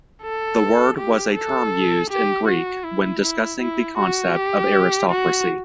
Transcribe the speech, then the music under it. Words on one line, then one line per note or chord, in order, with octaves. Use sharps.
The word was a term used in Greek when discussing the concept of aristocracy.
A4
G4
A4
G4
F#4
E4
E4
E4
F#4
G4
F#4